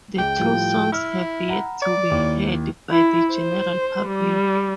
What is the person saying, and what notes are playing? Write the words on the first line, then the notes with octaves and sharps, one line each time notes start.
The two songs have yet to be heard by the general public.
C#2 G5
A2 F3 G3
E4 E6 F6
F#5 A#5 B5
D5
D#2 E4 D6
E4
C5
G3